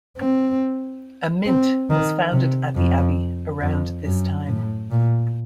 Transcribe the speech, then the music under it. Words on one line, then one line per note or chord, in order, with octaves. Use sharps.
A mint was founded at the Abbey around this time.
C4
C4
D#3
C3
F2
F2
F#2
A2
A#2